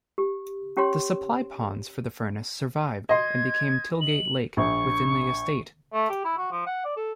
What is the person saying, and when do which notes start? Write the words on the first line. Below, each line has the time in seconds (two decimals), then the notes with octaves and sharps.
The supply ponds for the furnace survived and became "Tilgate Lake" within the estate.
0.18 G4
0.77 C#4 G4 C#5 C6
3.09 D#5 C6 G#6
4.01 F#7
4.57 A#1 C#6
5.93 A3
6.09 G4
6.24 E4
6.38 F#4
6.51 F3
6.66 F#5
6.85 D5
6.97 A4